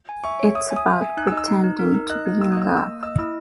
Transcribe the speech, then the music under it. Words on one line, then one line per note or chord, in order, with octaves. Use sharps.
It’s about pretending to be in love.
G#5
E5 C#6
C#5
E5 D#6
G#5
D#6
E5
G#5
D#4 F#6
E6
D#5
E6
D#4
D#4
A#4
D#4
D#5 F#6
D#4
A#3 E6
D#6
D#5 E6
D#6
A#3 E6
A#3
D#5 E6
E4 E6